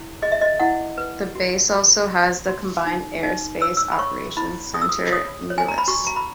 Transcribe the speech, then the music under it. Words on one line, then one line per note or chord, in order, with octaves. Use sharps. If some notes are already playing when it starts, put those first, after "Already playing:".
The base also has the Combined Air and Space Operations Center-Nellis.
Already playing: E4
G#4 D#5
E5
D#5
E4 F#5
B4
F#4
F#4
F#4
F#4
D#4
D#4
C#5 E6
E6
B5
C#5 C#6
E4 B5
G#4 D#6
E6
D#6
C#5 D#6
C#5
G#5
A#5
B5
F#4 C#6
A#5
B5